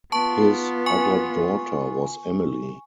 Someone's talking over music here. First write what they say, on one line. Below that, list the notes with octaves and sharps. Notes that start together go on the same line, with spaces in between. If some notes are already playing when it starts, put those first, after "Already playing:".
His other daughter was Emily.
B3 F4 A5 C#6
G#5 C#6